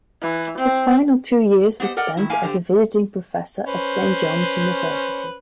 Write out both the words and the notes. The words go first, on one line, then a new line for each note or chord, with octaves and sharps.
His final two years were spent as a visiting professor at Saint John's University.
E3
C4
B3 G4 C5 D#5 F#5
A4 A#4 D5 D#5 F#5
D#3 E4
A2 A#3 E5 F5 G#5
D3 G4 C5
C#4 B4 C5